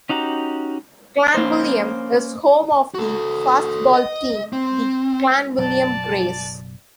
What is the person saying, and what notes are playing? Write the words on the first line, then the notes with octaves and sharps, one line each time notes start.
Clanwilliam is home of the Fastball team the Clanwilliam Greys.
C#4 D#4 F#4 G4 A#5
A#3 C#4 C5
F#4 A4
D#5
C4
F#1 B2 F#3 D5 A5